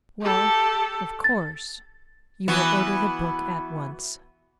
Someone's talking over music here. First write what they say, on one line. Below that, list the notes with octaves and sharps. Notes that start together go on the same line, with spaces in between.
Well, of course, you will order the book at once.
G4 A4
A6
E3 B3 F#4